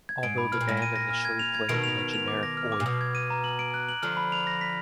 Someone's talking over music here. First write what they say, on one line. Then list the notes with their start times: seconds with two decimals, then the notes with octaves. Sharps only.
Although the band initially played in a generic Oi!
0.09 G#6
0.23 G#2 D7
0.38 B5
0.52 B2 F6
0.61 A#2
0.68 G#2 A#6
0.77 A#2 D#7
0.96 A#6
1.10 F6
1.25 G#6
1.39 F7
1.55 G#6
1.69 B2 D#3 D7
1.84 F7
1.99 F7
2.14 F7
2.28 D6
2.43 A#6
2.57 F6
2.72 D6
2.80 A#2
2.86 B2 D#6
3.01 G#6
3.15 D#7
3.30 A#5
3.44 F#7
3.59 D7
3.74 F#6
3.89 F#7
4.02 D3 F3 F6
4.17 B5
4.32 F7
4.47 A#6
4.61 B6